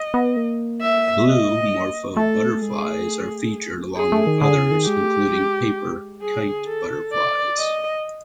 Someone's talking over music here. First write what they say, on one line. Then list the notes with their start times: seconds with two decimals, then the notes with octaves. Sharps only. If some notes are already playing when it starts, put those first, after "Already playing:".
Blue morpho butterflies are featured along with others, including paper kite butterflies.
Already playing: D#5
0.14 B3
0.37 A#3
0.81 E5
1.26 D#5
2.16 A3 A4
2.62 G#3 G#4
2.84 A3
3.96 B3 G#4
4.12 A3
4.27 D#3
4.41 D3 G#4
4.56 C#3
4.71 D#3
4.86 G#3 G4
5.02 A3
5.16 G#3
6.22 G3 G#4
6.44 D3
6.67 D#3 A4
7.12 D5
7.58 D#5
8.02 F3